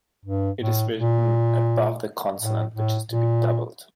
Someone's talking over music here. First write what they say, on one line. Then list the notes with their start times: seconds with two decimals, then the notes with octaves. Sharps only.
It is written above the consonant which is to be doubled.
0.25 G2
0.61 A2
0.97 A#2
2.40 A2
2.74 A2
3.11 A#2